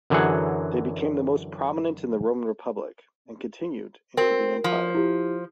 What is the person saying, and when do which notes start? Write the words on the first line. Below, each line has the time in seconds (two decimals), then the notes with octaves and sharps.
They became most prominent in the Roman Republic, and continued into the Empire.
0.10 F#2 D3 E3 F#3 G#4 F#5
4.17 C4 F#4 A#4
4.64 F3
4.95 E4 G4